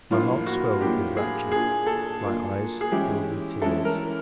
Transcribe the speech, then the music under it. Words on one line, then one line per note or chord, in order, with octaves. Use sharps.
My heart swelled with rapture, my eyes filled with tears.
A2 F3 A#3 D4 F4
F#4
A2 F3 A#3 D4 G4
G#4
A#3 D4 F4 G#4
A4
A#3 D4 F4
G#4
E3 G#3 C#4 E4 G4
E3 G#3 C#4 E4 A4
A#4